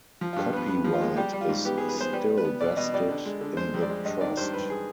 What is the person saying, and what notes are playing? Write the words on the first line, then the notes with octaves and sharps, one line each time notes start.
Copyright is still vested in the Trust.
F3
G2 F4
B3 B4
B3 B4
F3
F4
G#3
G3 G4
G3
F4
G#2
B3 G4
B3 G#4
B4
B3 C5
G3 B4
G3
B4
B3
B2 D5
B2 D#5
G3 D5
D3
G#3
D3
G#3 C5
F2
D5
G#3
G2 D#5
D#3 D5
G2 C5
G2 B4
G#4